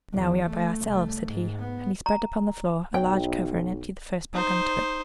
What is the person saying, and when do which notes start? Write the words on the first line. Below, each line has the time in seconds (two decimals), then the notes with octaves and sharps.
"Now, we are by ourselves," said he; and he spread upon the floor a large cover, and emptied the first bag into it.
0.13 E2
0.49 A3
0.86 C2 A3
1.22 G#2
1.60 B3
2.06 A#5
2.94 B1 G5
4.34 D#4 C5